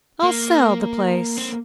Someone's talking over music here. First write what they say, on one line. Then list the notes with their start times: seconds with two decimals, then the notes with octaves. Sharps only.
"I'll sell the place."
0.23 A#3
1.38 C4